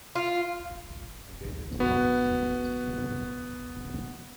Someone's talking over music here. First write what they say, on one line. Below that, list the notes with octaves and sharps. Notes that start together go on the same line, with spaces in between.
I gave it to Jeeves to give it to you.
F4
B3 F#4